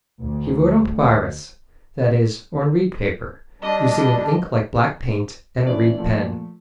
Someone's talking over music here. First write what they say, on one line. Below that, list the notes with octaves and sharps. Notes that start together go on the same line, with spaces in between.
He wrote on papyrus--that is, on reed paper, using an ink like black paint, and a reed pen.
D2
G3 D4 D#5
E3 C#4 D4 E4 D5
A#2 F3 A3